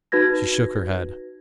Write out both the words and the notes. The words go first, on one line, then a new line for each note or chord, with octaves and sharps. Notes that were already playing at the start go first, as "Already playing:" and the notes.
She shook her head.
D#4 F#4 B4 G#6 A#6